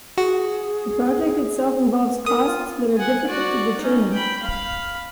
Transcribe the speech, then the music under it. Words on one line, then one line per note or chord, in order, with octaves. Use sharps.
The project itself involves costs that are difficult to determine.
F#4 G#4
A#4 D#6
F4
F#5 G#5
F#4 D5
C#4 D#4
G5 B5
F5 B5